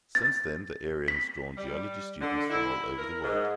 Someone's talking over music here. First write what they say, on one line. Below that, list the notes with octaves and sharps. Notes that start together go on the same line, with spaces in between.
Since then the area has drawn Geology students from all over the world.
A6
B6
G3
D3
E4
A#4
G#2